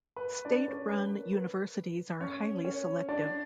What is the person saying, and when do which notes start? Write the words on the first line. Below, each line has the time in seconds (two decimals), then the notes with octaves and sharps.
State-run universities are highly selective.
0.16 B4
0.45 D4 D5
0.68 C#4 C#5
0.89 B4
1.11 A#4
1.33 B4
2.21 C#4 C#5
2.64 C#4 C#5
3.09 D4 D5